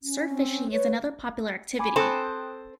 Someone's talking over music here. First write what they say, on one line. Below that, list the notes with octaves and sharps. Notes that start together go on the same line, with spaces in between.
Surf fishing is another popular activity.
C#4
C4
B4 C#5
G#5 B5 D6
C4 A4 C5 G5 D#6 F#6